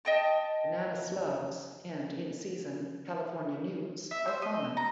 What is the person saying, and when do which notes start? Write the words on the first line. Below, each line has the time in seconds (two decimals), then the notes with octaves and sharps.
Banana slugs and, in season, California newts are common.
0.05 D#5 G5 A5
4.11 E5
4.28 C5
4.42 D#5
4.77 A#5